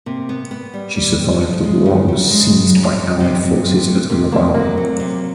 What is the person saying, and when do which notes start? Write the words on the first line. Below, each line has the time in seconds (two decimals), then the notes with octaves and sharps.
She survived the war and was seized by allied forces at Rabaul.
0.06 C3 A#3
0.29 B3
0.51 B3
0.74 G3
0.96 G3
1.19 G3
1.41 F3
1.64 G#3
1.86 C#3
2.08 C#3
2.30 G#3
2.53 C#3
2.75 F2
2.98 F2
3.20 C3
3.43 C3
3.65 C3
3.87 A3
4.10 C3 A#3
4.32 A3 A#3
4.54 F#3 A#3
4.77 F#3 C4
5.00 C3